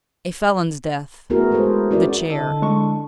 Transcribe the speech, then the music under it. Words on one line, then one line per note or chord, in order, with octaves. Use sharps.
A felon's death--the chair!
A3 B3 E4 F#4 G#4 A#4
G#3 G#4 A4 B4 C5
C#4 E4 F#4 G#4 A#4 D5
D3 E4 D#5 A5
G#3 C#6